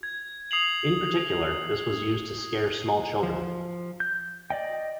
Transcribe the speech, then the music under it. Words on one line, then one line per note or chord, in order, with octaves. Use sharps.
In particular, this was used to scare small children.
G#6
D#6 C7 F7 F#7
F3
G6
D5 D#5 G5